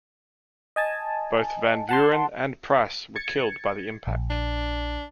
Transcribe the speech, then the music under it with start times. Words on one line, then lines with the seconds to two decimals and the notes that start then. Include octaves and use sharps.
Both Van Vuuren and Pryce were killed by the impact.
0.76 D#5 G#5 A5
1.89 F#5 A5 C6
3.16 G#6 A6 C#7
4.07 A#1
4.30 D4